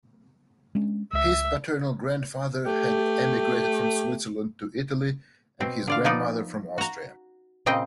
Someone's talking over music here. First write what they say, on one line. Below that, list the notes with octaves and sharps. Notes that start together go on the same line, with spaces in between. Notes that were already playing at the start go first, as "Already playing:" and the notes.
His paternal grandfather had emigrated from Switzerland to Italy and his grandmother from Austria.
G#3 C#4 D4
C#2 E5
A3 G4
B2 C4
D3 D5 F5
F3 B3 D#4 D5
F#4 A#5
A#2 C#3 C4 D#5 G5